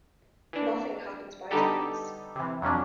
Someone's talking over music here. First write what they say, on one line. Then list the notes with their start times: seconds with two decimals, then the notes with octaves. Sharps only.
Nothing happens by chance.
0.53 E3 D4
1.51 D3 G3 B3 D#4 G4 A4
2.36 C3 E3
2.62 F2 F#3 C#4 D4